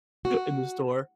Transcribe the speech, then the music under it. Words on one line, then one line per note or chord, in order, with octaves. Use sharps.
in the store,
F#4